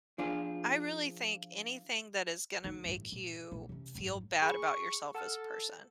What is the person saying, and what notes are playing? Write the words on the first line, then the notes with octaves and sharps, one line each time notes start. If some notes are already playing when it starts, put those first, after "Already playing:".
I really think anything that is gonna make you feel bad about yourself as a person.
F3 D4 F4 G#4
D3 D#4
A1 G2
A#2
A#1 A#3
C3 C#4
G#1 F#2
G#4 G#5 B5 C#6
A4 F#5 A5 F6